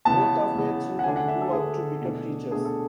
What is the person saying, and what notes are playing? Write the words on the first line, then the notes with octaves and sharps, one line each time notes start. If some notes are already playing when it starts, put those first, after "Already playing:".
Both of their children grew up to become teachers.
C#3 E3 B3 A5
C#3 E3 B3
F#5
D3 A3 D4 G#5
F#5
E5
A4
D3 A3 D4 G#4
B2 A3 D4
B2 A3 D4 G#4
A4